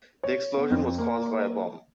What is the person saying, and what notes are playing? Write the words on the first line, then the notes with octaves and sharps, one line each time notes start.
The explosion was caused by a bomb.
C#5
B3
F2
A#3